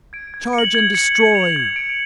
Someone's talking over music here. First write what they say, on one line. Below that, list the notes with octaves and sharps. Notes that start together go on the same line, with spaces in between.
Charge and destroy!
G#6 D7
G#6
C#7
F#7
G#6
C#7 F#7
G#6
D7 F7
G#6
D7 F7